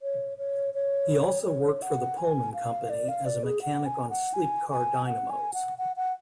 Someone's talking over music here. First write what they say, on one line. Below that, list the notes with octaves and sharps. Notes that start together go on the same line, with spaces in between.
He also worked for the Pullman Company as a mechanic on sleep car dynamos.
C#5
C#5
C#5
C#5
F#5
G#5
F5
D5
F5
D5
G#4
F#5
G#5
F#5
G#5
G#5
F#5
G#5
F#5
F#5
F#5